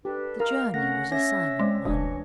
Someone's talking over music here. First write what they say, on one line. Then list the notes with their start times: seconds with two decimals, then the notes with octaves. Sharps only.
The journey was a silent one.
0.05 D4 G4 A4 B4
0.40 A#4 D#5 F5 A#5 F6
0.74 A3 C#4 F#5 A#6
1.12 C#4 C#5 E5 A#6
1.59 G#3 C4 D5
1.85 E1 D2 E3 D4 C#5 D#5